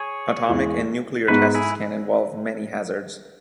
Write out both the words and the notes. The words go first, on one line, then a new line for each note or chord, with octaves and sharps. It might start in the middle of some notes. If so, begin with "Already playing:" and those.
Atomic and nuclear tests can involve many hazards.
Already playing: G#4 C#5
E2 E3 G#3
G#2 G#3 B3 F#4 B4
E4 G#4